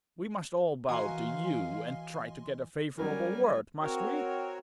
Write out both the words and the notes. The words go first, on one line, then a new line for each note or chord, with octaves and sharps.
We must all bow to you, and try to get a favorable word, must we?
E3 F#4 A#4 D#5 F5 G#5 C6
F#3 G3 C#4 F#4 A#4 G#5
C4 F#4 A#4 C#5